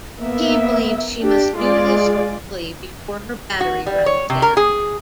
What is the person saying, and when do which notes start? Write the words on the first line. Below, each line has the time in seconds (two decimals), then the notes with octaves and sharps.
Key believes she must do this quickly before her battery runs down.
0.22 A#3 B3 E5
1.22 D4 G4
1.56 G#3 F4 G#4 D5
3.61 F#4
3.86 G3
4.06 C#5
4.30 C3
4.42 A#4
4.57 G#4